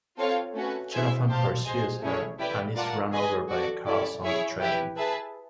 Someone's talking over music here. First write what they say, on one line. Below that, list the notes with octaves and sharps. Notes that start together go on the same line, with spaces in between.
Jonathan pursues her and is run over by a Carlsson train.
C4 F4 A4 C#5 F5
A3 C#4 F#4 B4
E4 G#4 C5 E5 G#5
G4 C5 F5 A5
G#4 C5 D#5 G#5
A3 C#4 E4 G#4 C#5
E4 G4 B4 D5 G5
F4 A#4 D5 F#5 A5
G#4 B4 D#5 G#5
F#4 A4 D5
C#4 E4 A4 D5
E4 G#4 C#5 E5
E4 G4 B4
G#4 B4 E5 A5